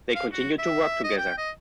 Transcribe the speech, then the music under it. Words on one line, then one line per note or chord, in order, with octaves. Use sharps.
They continue to work together.
F5
F#4
E5
D#5
G5
D#5